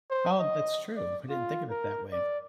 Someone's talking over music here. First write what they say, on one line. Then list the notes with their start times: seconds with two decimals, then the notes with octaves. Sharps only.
Oh, that's true. I didn't think of it that way.
0.10 C5
0.39 D#5
0.96 D5
1.29 F4
1.70 A#4
2.12 D5